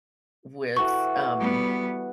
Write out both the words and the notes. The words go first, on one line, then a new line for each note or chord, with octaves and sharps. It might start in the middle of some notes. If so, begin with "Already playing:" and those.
with, um,
E3 F#4 A4 C#6
G3 B3